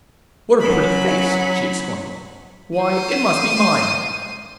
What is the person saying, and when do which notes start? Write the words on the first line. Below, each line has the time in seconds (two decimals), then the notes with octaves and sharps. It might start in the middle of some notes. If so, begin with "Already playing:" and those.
'What a pretty face!' she exclaimed, 'Why, it must be mine!
0.60 F#3 C#4 B5
2.79 C5 D#7